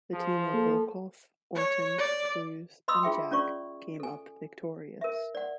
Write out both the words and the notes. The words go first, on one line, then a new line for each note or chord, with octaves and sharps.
The team of Volkoff, Orton, Cruz, and Jack came up victorious.
F3 G#4
A#3 A4
C#5
D5
D#5 B5 C6 D#6 E6
F4 G#4 E5 G5
C#4 F4 D5 C#6
A4 G#5
A#4 E5
D5 F#5